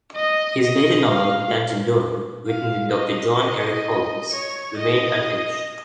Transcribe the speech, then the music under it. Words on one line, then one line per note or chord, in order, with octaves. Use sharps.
His later novel "Danton Doring", written with Doctor John Eric Holmes, remained unfinished.
D#5
D#5
F5
F5
D#5
D#5
C#5
D#5